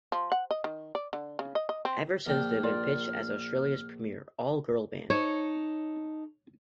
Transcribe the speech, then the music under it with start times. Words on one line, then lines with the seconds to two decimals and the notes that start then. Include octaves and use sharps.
Ever since, they've been pitched as Australia's premier all-girl band.
0.12 F3
0.32 F#5
0.51 D#5
0.64 D#3
0.95 D5
1.13 D3
1.39 C#3
1.55 D#5
1.69 D#5
1.85 C4
2.26 A#1 D4 G5 F6
2.63 F4 A#4 D5
5.10 D#4 A4 C#5